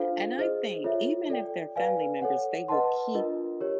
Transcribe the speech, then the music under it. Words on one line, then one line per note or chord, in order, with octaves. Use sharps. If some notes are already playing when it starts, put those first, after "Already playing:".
And I think even if they're family members, they will keep
Already playing: D4 F4 A4 C5 F5
G#4 C5 D#5
F4 A4 C#5 E5
A4 D5 G5
B4 D5 F5 G#5
A4 C#5 F#5
B4 D#5 F#5 A5 C6
D4 F4 A#4 D#5
G4 A#4 C#5